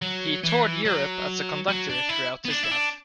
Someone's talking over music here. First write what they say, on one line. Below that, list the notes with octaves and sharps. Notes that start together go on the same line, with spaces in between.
He toured Europe as a conductor throughout his life.
F#3
E3
F#3
F#3
D4
E4
B3
D4
E4
D4